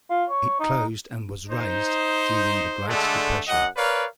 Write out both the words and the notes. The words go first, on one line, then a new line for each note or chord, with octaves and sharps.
It closed and was razed during the Great Depression.
F4
C#5
D#4
D#4 C5
D3 G#3 A3 D4 A4
F#2 D#5 F#5
A#4 B4 C#5 D5 F5